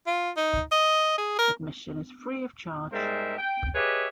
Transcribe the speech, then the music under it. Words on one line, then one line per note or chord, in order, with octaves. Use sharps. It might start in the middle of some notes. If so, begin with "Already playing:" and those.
Admission is free of charge.
F4
D#4
D#5
G#4
A#4
G#2 G3 G#3 A#4 C5 E5
G5
G4 G#4 B4 C#5 D#5 E5